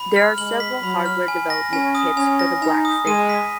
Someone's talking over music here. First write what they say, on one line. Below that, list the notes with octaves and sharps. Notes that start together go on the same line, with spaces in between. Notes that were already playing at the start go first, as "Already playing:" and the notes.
There are several hardware development kits for the Blackfin.
Already playing: B5
F6
G#3 F#7
B6
F#3 B5
F6
G#5
A#6
C#4 G#5
D#6
C#4 G#5
A#6
D#4 G#5
D#6
G#3 D#7
B6